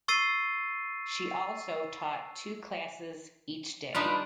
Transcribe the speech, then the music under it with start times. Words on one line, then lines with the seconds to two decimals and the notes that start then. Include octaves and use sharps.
She also taught two classes each day.
0.08 C#6 E6 A6 C7 D#7
3.95 G3 D4 D#4 F4 B4